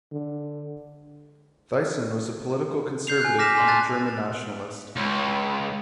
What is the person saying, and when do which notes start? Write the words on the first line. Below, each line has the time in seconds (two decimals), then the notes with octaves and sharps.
Thyssen was a political conservative and a German nationalist.
0.12 D3
3.07 G6 C7 F7
3.21 G#5 F#6
3.39 D6 F6 A#6 B6 E7
3.55 G#5 C6
3.67 G#5 A5 F#6 A6
4.96 C#2